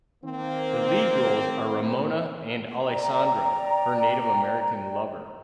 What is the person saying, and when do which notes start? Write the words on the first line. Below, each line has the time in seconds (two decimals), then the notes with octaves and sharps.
The lead roles are Ramona and Alessandro, her Native American lover.
0.24 D#3 A#3 C4
2.86 D5 G5 A#5